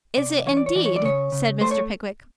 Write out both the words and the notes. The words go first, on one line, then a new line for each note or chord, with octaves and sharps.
'Is it, indeed?' said Mr. Pickwick.
C3 D5
E3 C#5
D5
C#5
E3 D5
C#5
D5
C#3 C#5
C#3
A3 C5
C#5